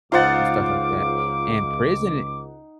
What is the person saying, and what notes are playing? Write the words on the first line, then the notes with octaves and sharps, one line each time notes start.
And stuff like that and prison i
C#2 D#4 F4 C5 F#5 D6 A6